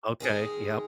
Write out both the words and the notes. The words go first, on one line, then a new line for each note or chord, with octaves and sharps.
Okay, yep.
D#3 G#3 D#4 G#4